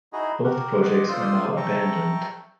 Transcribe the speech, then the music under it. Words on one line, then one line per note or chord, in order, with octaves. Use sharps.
Both projects are now abandoned.
D#4 E4 F#4 G#4 D#5
F#4 G4 A#4 F#5
D5 D#5 F#5 C6 D6
F4 C5 D5 C6 D#6 E6
E5 G5 A5 A#5 C#6